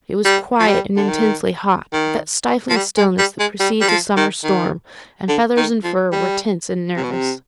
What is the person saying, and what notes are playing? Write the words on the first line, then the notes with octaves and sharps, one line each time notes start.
It was quiet and intensely hot, with that stifling stillness that precedes a summer storm, and feathers and fur were tense and nervous.
G3
F3
G3
D3
D#3
D#3
F3
G3
G#3
G3
G#3
G3
G3
F3
D#3
D#3
D3
D#3
F3
G3
C3
B2
C3